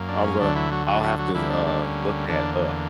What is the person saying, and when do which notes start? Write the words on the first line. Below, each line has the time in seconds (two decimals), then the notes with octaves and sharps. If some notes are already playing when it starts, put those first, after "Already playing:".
I'm gonna I'll have to s uh, look that up.
Already playing: F#2 A#3
0.08 D4
0.24 C#4
0.39 D2 D3 F#3 D4
0.56 E3 E4
0.71 F#3 F#4
0.87 F#3 F#4
1.03 F#3 F#4
1.18 F#3 F#4
1.34 D2 D3 E3 G3 A#3 E4
1.50 D4
1.67 D4
1.82 C#4
2.29 E2 D3 A#3 D4